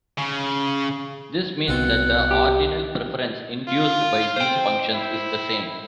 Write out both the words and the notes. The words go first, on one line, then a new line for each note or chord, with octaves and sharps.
This means that the ordinal preference induced by these functions is the same.
C#3
C2 B2 C4 F4 F#5
G4
F4
C5 G5
E4